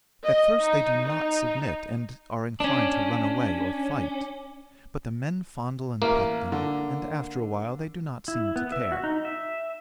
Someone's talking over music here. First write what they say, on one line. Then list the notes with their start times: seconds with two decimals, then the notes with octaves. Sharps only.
At first they do not submit, and are inclined to run away or fight, but the men fondle and pet them, and after awhile they do not seem to care.
0.25 D#5
0.59 D#4
1.01 D#4
2.60 C#4 D4
6.02 A1 A#3
6.52 D3
8.28 E4
8.56 B3
8.72 E5
8.92 F#4
9.04 D#4
9.25 E5